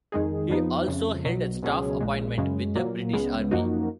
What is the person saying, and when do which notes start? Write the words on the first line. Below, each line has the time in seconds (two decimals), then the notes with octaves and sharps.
He also held a staff appointment with the British Army.
0.12 F2 D#3 G#3 D#4 G#4
0.49 F2 F3 B3 D#4
0.88 F2 C#3 F3
1.25 B1 B2 F#3
1.62 C#2 B2 F#3 C#4 G#4
2.01 A#1 A#2 G#3
2.38 F#2 C#3 G#3
2.75 A#2 F#3 A#3
3.13 C#2 C#3 G#3 B3
3.51 F#2 F3 A#3 D#4 F#4